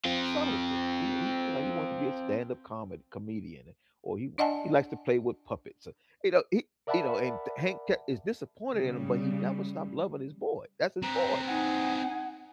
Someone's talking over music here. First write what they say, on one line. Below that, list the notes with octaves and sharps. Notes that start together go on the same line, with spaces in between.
subtle things, he li he, you know, he wants to be a stand up comedy comedian, or he w he likes to play with puppets, uh you know, he you know, and th Hank ke is disappointed in him, but he never stopped loving his boy, that's his boy!
C4 F4
D4 D5 D#5 F#5 G#5 A5
A#4 D5 E5 F#5 A5 B5
C#3 G3
C4 B4 A#5
D#4 F#5 G#5